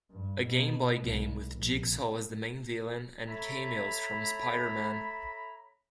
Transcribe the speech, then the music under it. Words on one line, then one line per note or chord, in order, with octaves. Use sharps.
A Game Boy game with Jigsaw as the main villain and cameos from Spider-man.
G2
B2
C2
A#1
A4 C#5 E5 A#5 B5